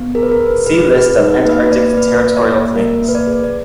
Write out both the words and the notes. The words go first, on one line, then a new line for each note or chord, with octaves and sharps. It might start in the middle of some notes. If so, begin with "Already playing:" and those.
See List of Antarctic territorial claims.
Already playing: B3
G#4 A#4
B4
A#4
G#4 B4
G#4 B4
G#4 B4
D#4
A#3 B4
B4
A#3 D5
D5
A#3 B4
A#3
D5
A#3
A#3 A#4
A#3
B4
D5
G#4
D5